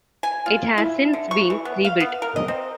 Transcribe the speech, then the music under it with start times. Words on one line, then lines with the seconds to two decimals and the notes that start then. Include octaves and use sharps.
It has since been rebuilt.
0.23 G#5
0.46 F4
0.78 E4
1.13 D3
1.31 C#6
1.50 E3
1.65 B3
1.85 F5
2.00 B3
2.22 A#4
2.36 D#5
2.48 C4